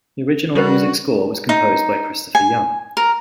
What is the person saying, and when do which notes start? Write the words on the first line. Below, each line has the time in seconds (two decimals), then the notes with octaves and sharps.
The original music score was composed by Christopher Young.
0.55 G3 C#4 F#4 A#4 B4
1.49 D#4
2.35 G#5
2.97 A#4